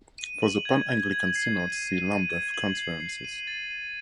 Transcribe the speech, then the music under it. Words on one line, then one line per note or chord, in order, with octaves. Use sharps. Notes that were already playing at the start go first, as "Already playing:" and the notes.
For the Pan-Anglican Synods see Lambeth Conferences.
D#7
F#7
G#6
G#6
G#6
C7
D#7
D#7
D#7
G#6
F#7
C7
C7
D#7
A6
D#7